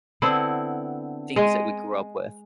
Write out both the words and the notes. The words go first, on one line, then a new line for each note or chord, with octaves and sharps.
things that we grew up with.
D3 B3 C4 E4
G#3 D#5